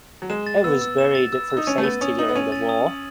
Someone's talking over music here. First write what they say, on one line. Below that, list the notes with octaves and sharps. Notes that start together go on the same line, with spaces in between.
It was buried for safety during the war.
F#3
G#3 E7
A6
B3 E6
E6
E7
A6
E6
E6
D#4
C#4 D#7
A3
B3 A6
C#4 D#6
D#4 F#7
B3
C#4 D#7
A6
D#6
F#7